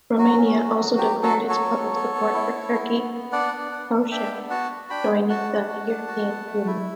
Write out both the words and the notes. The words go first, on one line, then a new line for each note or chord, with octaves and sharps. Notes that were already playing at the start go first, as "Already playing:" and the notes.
Romania also declared its public support for Turkey and Croatia joining the European Union.
F#3 F#4
C#4
F#4
F#3
F#3 G4
F#3
F#4 A4
F#4
A4 C#5
F#3
B3
B3
B3
E4
E4
B3
B3
B3
D4 D5 F#5
B3
D4
D4
D4 E5 G5
B3
F#4 F#5 A5
D4
D4 G5 B5
B3
F#4 F#5 A5
D4
F#4
D4
F#4
B3
A3
E4